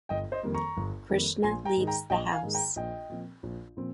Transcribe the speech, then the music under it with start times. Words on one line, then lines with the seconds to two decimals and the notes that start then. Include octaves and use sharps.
Krishna leaves the house.
0.09 G1 D#5 G5
0.32 C5 D#5
0.43 F2 D#3 G3 A#3
0.54 A#5 C#6
0.77 G1
1.09 F2 D#3 G3 A#3
1.43 A#1 G#5 C6
1.65 G5 A#5
1.77 G#2 D#3 G#3 D#4
1.87 G5 A#5
2.10 A#1 D#5 G5
2.32 F5 G#5
2.43 G#2 D#3 G#3 D#4
2.54 G5 A#5
2.76 A#1 D#5 G5
3.10 A#2 F3 C4
3.43 A#1
3.77 A#2 F3 C4